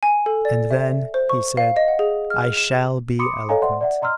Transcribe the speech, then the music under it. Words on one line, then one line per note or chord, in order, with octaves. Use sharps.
"And then," he said, "I shall be eloquent."
G#5
A4
D5
E5
C5
C#6
F5
D#5
F#5
G#4
F6
E7
B5 C6 D6 D#6 C#7
A4 C#5 D#5 F5 G#5 A#5
C5 D5 E5 F#5 C6
D5 E5 F#5
D#5 A#5 C6 E6 F6